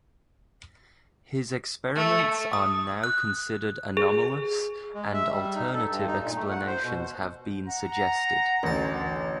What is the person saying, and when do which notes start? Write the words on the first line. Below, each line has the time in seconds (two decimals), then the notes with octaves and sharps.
His experiments are now considered anomalous and alternative explanations have been suggested.
1.96 A3
2.53 D#6
3.04 F#6
3.97 G#4
4.94 G#3
5.14 E5
5.31 G3
5.55 D#4
5.73 A4
5.89 G2
6.07 D#4
6.23 A#2
6.37 A3
6.50 F#5
6.67 C5
6.84 B2
7.67 F#5 A#5
8.63 A1 D2 A5